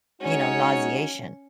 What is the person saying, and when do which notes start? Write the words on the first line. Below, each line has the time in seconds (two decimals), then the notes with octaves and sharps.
you know, nauseation.
0.21 G#3 C#4 D#4 F#4 C#5